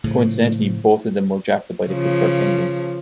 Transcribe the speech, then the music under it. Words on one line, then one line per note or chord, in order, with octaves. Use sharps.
Coincidentally, both of them were drafted by the Pittsburgh Penguins.
A2 C#3 F3
C#3 F3